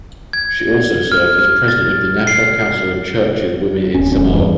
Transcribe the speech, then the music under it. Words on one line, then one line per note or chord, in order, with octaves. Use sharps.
She also served as President of the National Council of Churches Women in Samoa.
G#6
F6
A6
C7
D1 C#4
E1 C#4
E2 G2